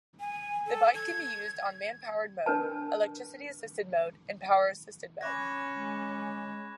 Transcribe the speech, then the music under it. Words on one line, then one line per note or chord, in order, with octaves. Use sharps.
The bike can be used on man-powered mode, electricity-assisted mode and power-assisted mode.
G#5
A4
G#6
D4 A#4 B4 A5
C#4 B5 C#6 D6 F#6 G#6 A#6
G#3